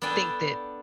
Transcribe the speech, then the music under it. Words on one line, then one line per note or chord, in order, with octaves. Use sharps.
think that
B3 D4 A4 G5 G#5